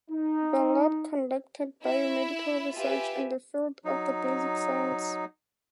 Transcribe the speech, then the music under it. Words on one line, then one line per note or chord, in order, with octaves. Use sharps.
The lab conducts biomedical research in the fields of the basic sciences.
D#4
E4 E5
F4 G4 B4 E5 G#5
F#3 D#4